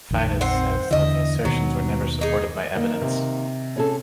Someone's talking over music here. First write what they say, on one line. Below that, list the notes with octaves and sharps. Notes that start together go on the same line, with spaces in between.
Fiddes says that the assertions were never supported by evidence.
A#1 F2 D#3
C4 C5 F#5
E2 D3 E3 D#5 E5
D#2 B2 D#3 F#3
D#4 G#4
D#3 A#3
C3
C#4 G#4 A4